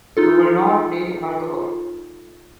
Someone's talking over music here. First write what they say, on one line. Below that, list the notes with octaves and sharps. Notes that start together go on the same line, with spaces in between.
You will not need alcohol.
D#4 F4 A4